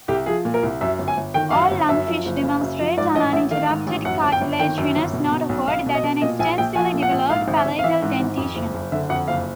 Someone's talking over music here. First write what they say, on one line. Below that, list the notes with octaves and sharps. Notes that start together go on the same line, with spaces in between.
All lungfish demonstrate an uninterrupted cartilaginous notochord and an extensively developed palatal dentition.
C2 G4
F3 G#4
A#2
A#4
C2
F#2 E5
G1
G#5
G1
D#3 G5
F#2 F5
F#5
G1
F#2 E5
F3
F#1
C#3
F#2
F3
G#2 D5
A1 D#5
A1 E5
D#3 F5
G#2
A1
F#2 F#5
G1
G5
G1
D#3 G5
F#2
G1
B2
B2
B1
B1 F5
B2
D#5
B2
A#2 D#5
A#1 G#5
A#1 G5
F3 G#5
A#2
F#5
A#1
G#2 F5
G#1
E5
G#1
F5
E3 E5
G#2
G#1
F2
F#1
F#1
D3 E5
F2 F#5
F#1 F5